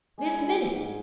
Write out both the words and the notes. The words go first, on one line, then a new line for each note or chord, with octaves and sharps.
This minute!
G#3 G#5
E4
G#4
G#2